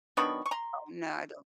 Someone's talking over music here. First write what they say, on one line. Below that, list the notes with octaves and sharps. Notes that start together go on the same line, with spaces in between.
no I don't
D#3 F#3 B3 D4 B5 C#6
C#6
A#5 C6